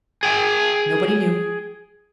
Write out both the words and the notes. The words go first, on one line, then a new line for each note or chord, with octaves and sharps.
Nobody knew.
G#4 G5